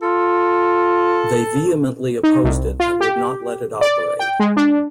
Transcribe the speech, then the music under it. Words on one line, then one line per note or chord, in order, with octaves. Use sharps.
They vehemently opposed it and would not let it operate.
F4 A4
D#4
C2
F4
G4
D5
G5
G#3
D4